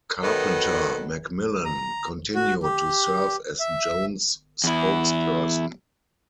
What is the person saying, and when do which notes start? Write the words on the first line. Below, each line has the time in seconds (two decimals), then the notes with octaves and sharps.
Carpenter-McMillan continued to serve as Jones' spokesperson.
0.23 D#3 F#3 B3 A4 B4 D#5
1.65 A#5
2.35 F#4
2.63 G4
3.60 E5
4.64 E2 E4